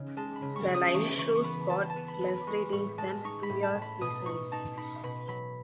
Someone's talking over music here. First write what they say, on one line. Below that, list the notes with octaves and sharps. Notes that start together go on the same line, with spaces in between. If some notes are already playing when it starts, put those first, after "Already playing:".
The live shows got less ratings than previous seasons.
Already playing: C#3 D#4
G#3 A5
B5
C#3
C#6
C#3
D#6
E3 C#6
E3 C#6
C#6
B3 B5
B3 A5
A5
B3
B5
B3
B5
G#3 C#6
A2 C#6
G#3 A5
D#4 C#6
B5
A2
A5
A2
B5
B2 D#6
D#4 C#6
D#4 A5
D#4 B5
B2 B5
F#3 B5